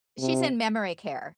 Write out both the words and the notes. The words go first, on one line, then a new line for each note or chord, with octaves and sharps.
She's in memory care.
C3